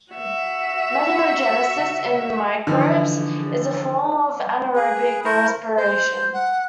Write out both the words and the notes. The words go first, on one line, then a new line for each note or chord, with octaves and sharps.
Methanogenesis in microbes is a form of anaerobic respiration.
F#4 E5
D3 E3 F3 D#4
G#4 B4
A3 E4 A#4 C5
C5 G6
F#5